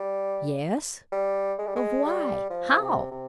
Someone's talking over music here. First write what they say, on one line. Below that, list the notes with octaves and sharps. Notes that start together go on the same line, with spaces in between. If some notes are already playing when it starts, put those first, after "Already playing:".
"Yes, but why--how?"
Already playing: G3
G3
G#3
G3
G#3
G3
F3
C3
C3